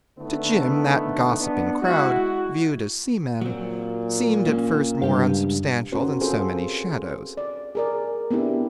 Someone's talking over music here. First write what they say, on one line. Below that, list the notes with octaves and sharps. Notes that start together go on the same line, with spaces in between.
To Jim that gossiping crowd, viewed as seamen, seemed at first more unsubstantial than so many shadows.
D3 D#3 A3 B3 E4
B3 D4
G#3 E4 F#4
A#2 F#3 C4
A#3 C#4
C#2 G2 G4 F5
C#4 F#4 A#4 C5
C4 F4 G#4 A4 C5
D5
G#4 A#4 D5
B3 C4 D4 E4 G4